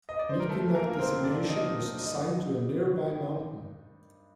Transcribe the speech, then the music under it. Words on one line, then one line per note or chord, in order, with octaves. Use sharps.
Mikinak designation was assigned to a nearby mountain.
D#5
D5
C5
A#4
D#2 A3 A4
A#3 A#4
D#3 F#3 A#3 A#4
C4 C5
D#2 D4 D5
D#4 D#5
D#3 F#3 A#3
G2 D#4 D#5